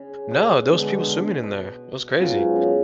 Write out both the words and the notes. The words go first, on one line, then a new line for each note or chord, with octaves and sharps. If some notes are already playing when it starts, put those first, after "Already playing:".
No, those people swimming in there. It was crazy.
Already playing: C#3
B2
D3 G#3 B3 D4
B2
G#2 C#3 F#3 B3 F4
C#3